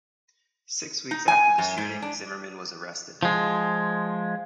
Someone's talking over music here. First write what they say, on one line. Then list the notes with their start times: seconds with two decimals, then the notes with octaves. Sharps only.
Six weeks after the shooting, Zimmerman was arrested.
1.11 D#4
1.28 G#5
1.58 F#2
1.78 G#2
2.02 D4
3.23 F3 G#3